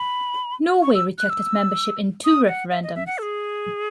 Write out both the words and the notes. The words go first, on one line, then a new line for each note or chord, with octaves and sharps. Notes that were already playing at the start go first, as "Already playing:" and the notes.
Norway rejected membership in two referendums.
Already playing: B5
C#6
E6
F#6
E6
D#6
F#5
E5
D#5
E5
F#5
A4
G#4